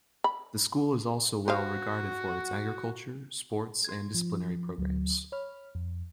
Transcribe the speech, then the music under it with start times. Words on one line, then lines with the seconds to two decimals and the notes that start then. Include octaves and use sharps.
The school is also well regarded for its agriculture, sports and disciplinary programmes.
0.24 B5
1.48 F#4 G4 C5 F5
3.85 C6 G#6
4.15 F3
4.78 D2 F#3
5.32 C#5 B5 F6
5.75 F2